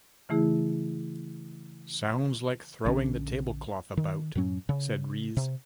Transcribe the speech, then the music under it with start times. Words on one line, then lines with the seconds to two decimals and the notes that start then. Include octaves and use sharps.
"Sounds like throwing the tablecloth about," said Rees.
0.29 C#3 E3 A3 E4 G#4
2.85 A#1 D3 F3 C#4
3.97 D#3
4.35 F#2 A2 F#3 C#4
4.69 C#3
5.37 C3